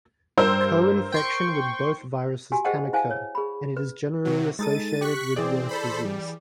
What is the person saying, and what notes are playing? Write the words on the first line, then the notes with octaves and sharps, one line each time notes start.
Co-infection with both viruses can occur, and is generally associated with worse disease.
G2 A#4 C5 E6
G5 C6 C#6
F#4 G4 G#5
G#4 C5 D#5 F#5 G5 A5
E4 C5 F5 G#5 A5
C#5
G#4 B5
B4
C3 F#3
G#3 D#4 A4 A6 D#7
G4 C#6 F#6 B6
E3 C4 G#4 D5
A4 C5 B5
G3